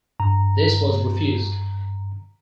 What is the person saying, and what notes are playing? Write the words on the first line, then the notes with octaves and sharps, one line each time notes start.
This was refused.
G2 A#5